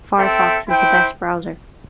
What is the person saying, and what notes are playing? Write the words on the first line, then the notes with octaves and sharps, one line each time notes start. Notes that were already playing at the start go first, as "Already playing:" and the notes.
Firefox is the best browser.
C4 A4 E5 G5
E4 C5 G5